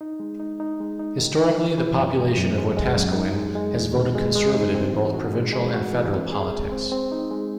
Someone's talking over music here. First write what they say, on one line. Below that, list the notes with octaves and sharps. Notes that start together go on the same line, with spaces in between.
Historically the population of Wetaskiwin has voted Conservative in both provincial and federal politics.
D#4
G#3
D#4
D#4
G#3
D#4
D#3
D#3
E3
E3
F#2
G#3
F#2
G#3
G#3
F#2
D#4
G#3
G#3
E2
D#3
G#3
G#3
D#4
C4
E3
F#4
G#3
G#3
F#4
E3
C4
G#4
G#3
C4
C4
D#4
G#3